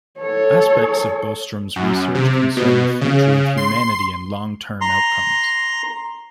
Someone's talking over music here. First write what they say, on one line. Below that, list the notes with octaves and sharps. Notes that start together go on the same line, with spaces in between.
Aspects of Bostrom's research concern the future of humanity and long-term outcomes.
A4 C#5
F#2
C3
B2
C#3
C6
A#5 C6